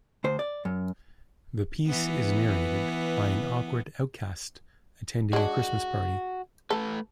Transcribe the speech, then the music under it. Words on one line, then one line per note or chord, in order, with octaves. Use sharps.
The piece is narrated by an awkward outcast attending a Christmas party.
D2 C5
D5
F#2
E3 B3
G#3 D4 F#4
A3 A4 B4